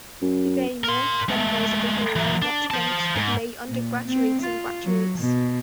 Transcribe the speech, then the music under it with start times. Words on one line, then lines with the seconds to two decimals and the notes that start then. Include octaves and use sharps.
Today, most members of the Hall are not monks, but lay undergraduates and graduates.
0.22 F#2
0.84 A#4 C6
1.29 G#3 A3
2.16 E3 F#3
2.42 D4
2.71 C5 A5
3.16 G#2
3.70 A#2
4.07 C4
4.42 F4
4.85 F#3
5.19 B2